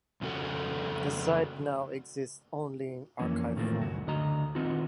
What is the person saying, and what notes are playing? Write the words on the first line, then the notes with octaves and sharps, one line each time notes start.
The site now exists only in archive form.
F2 C#3 F#4 A4
F2 E3 A#3 C#4
A2 D#3 F3 G3 A3 A#3
C#2 F#2 F#3 F#4
D2 D3 D#5 A#5
D#3 B3 C4 D#4 F4 F#4